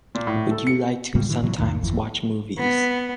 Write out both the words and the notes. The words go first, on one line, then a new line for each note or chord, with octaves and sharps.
Would you like to sometimes watch movies?
A#2
A2
A4
C#7
A2 C#3 G3 G#3
A2 D3 E3
A2 C3 E3 F#3
C2 F2 A2 D#3
G1 F2 E3
B3